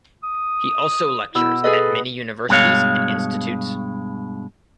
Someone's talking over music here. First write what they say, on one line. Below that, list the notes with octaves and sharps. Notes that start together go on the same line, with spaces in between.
He also lectures at many universities and institutes.
D#6
B2 E4 E6
G#4 A4 B4 D#5
G2 B2 G#3 C#5 F5